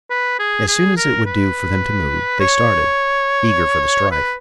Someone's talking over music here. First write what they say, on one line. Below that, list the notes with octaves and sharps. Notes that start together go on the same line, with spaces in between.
As soon as it would do for them to move, they started, eager for the strife.
B4
G#4
G#4
A#4
B4
C#5
B4